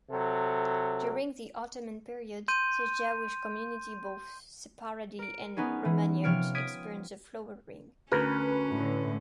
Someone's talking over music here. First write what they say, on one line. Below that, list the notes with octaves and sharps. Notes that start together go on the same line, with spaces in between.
During the Ottoman period, the Jewish community, both Sepharadi and Romaniote, experienced a flowering.
C3 F#3 A4
C6 G6 D#7
A#4 D7
G#3 B3 C#4 D#4 G#4
E3
C3 F3 C#5 F6 D7
D#6 G#6 B6 D7 D#7
D2 C#4 A#4 B4
A2 D3